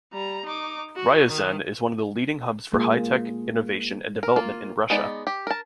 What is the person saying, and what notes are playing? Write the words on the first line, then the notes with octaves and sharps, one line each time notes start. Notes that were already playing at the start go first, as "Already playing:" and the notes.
Ryazan is one of the leading hubs for high-tech innovation and development in Russia.
G3 A#5
D#4 D6
F#4
D#3
G#3 A#3 F4 G#4
A#4
A#3 F4
G#3 B3 D#4 D5
G4
A#4 A5